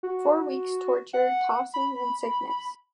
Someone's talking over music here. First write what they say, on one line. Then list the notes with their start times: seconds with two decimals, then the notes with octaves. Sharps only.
Four weeks’ torture, tossing, and sickness!
0.03 F#4
1.13 F#5
1.74 B5